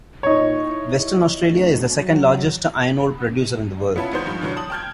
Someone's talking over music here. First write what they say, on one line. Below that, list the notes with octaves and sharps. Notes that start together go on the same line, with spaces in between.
Western Australia is the second-largest iron ore producer in the world.
A#2 D#4 C#5
E4
D2
F#3
B3 C#4 E4 F4 A5
D#2 G#2 B3 D#4 C5 G6
G2 F3
G2 B2 D3 E3 F#3
A5 D#6 F#7
G5 A5 F6 G6 G#6